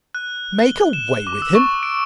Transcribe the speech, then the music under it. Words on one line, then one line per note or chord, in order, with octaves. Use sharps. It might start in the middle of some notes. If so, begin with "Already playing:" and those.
Make away with him!
F#6
G7
E7
D6
E6
C#6
D7